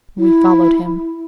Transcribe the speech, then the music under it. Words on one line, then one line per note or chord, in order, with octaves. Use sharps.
We followed him.
E4